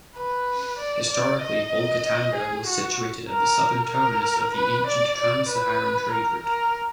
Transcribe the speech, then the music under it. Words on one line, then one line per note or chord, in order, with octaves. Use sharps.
Historically Bolgatanga was situated at the southern terminus of the ancient Trans-Saharan trade route.
B4
D5
D5
D#5
G#4
F#4
A#4
A#4
B4
D5
D5
B4
A#4
A#4